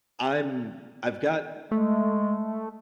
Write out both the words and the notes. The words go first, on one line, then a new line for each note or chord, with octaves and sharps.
I'm I've got
G#3 A3